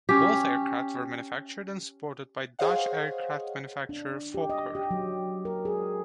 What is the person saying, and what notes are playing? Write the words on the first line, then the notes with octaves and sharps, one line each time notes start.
Both aircraft were manufactured and supported by Dutch aircraft manufacturer Fokker.
C#4 G4
G#4 C5 C#5 D#5 F5 F#5
D4
G4
D#5
G4
F#3
A#4
G#4